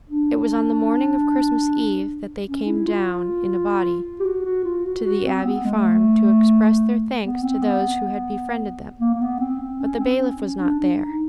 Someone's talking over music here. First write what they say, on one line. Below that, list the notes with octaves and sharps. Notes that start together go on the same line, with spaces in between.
It was on the morning of Christmas Eve that they came down in a body to the Abbey Farm to express their thanks to those who had befriended them; but the bailiff was not there.
D4
C#4
E4
F4
G4
F#4
F#4
F4
F#4
F#4
C4
B3
G#3
A3
B3
C4
B3
A#3
A#3
B3
C4
C4
C#4
C4
C#4
C#4
D4
D4
D#4